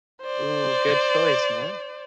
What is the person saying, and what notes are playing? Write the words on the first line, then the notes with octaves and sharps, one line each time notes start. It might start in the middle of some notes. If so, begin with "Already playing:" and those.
Ooh, good choice, man.
C5 D5